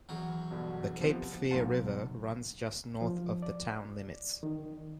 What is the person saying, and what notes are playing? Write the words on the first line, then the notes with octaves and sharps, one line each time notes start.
The Cape Fear River runs just north of the town limits.
E2 F#3
G2 B2 D3
C3 F3 B3
B1 A#3 A#4 C5 F#5 A5
F3
D5
D#3